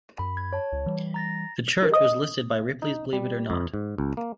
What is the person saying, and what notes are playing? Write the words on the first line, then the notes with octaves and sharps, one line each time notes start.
The church was listed by Ripley's Believe It or Not!
F#2 B5
G#6
C#5 A5
C#2
E3 G3
A#5 A6 A#6
D#4
G3
F2
G#2
C#2
A#3